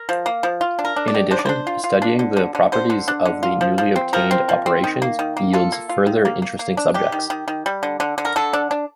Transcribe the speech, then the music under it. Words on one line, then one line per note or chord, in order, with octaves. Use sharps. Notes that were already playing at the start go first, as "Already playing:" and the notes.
In addition, studying the properties of the newly obtained operations yields further interesting subjects.
Already playing: A#4
F3
A#3
F3
F4
D4
A#4
D4
D5
D#3
D4 C5
D5
D4 C5
F4
F4
D4
D3
D3
D3
D3 C5
D3
D4
D3
F4
F3
F3
C4
F3 A#4
C4
F3
C4
D#3
A#3
D#3
A#3
F4 A4
A#3
F4
D#3
A#3
A#3
A#3
D4
D4 G4
D#3
D#3
D#3
G3
D3
D3
D3
A#4
D3 A4
D4
D4